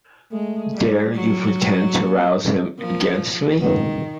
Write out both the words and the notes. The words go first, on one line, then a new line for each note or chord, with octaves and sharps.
Dare you pretend to rouse him against me?
G#3 A3
G3
F#3
A#3
F3 A#3
D#3 B3